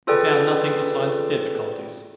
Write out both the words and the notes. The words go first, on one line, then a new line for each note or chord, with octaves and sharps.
'And found nothing besides the difficulties?'
F4 G#4 A4 B4 D5 G5